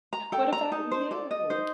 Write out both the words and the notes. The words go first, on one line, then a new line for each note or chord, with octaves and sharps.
What about you?
A#5
A4 G5
A#5
D#4 A5
C5
A4 D5
D#5
D#4 C5